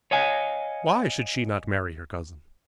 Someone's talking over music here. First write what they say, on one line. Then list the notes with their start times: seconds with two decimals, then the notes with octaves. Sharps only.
Why should she not marry her cousin?
0.11 C#5 D#5 F5 G#5